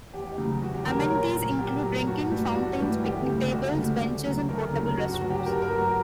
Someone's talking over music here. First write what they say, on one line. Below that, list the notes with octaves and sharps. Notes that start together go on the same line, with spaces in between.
Amenities include drinking fountains, picnic tables, benches, and portable restrooms.
E2 G4
C#3 F#3
E2 F#4
G4
C#3 F#3 A#4
C#5
A#2 A#4
F#3
A#2 G4
F#3
G2 F#4
E3 G3
G2 F#4
E3 G3
D2 G4
C#3 G3
D2 F#4
C#3 G3
D2
C#3 F#3
D2 A#4
C#3 F#3
G2 F#4
F#4
F#3
G4
G2 A#4
A#4
F#3
F#4